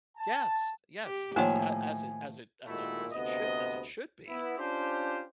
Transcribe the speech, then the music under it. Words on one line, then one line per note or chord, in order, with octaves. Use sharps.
Yes, yes, as it a as it as it as it as it should as it should be,
A5
G4
A2 D#3 F3 A#3 C#5 E5 G#5
A#2 D#3 G#3 A3 E4 F#4
D2 C3 B3 D#5
B3 E4
C#4 D4 F4 G4 C5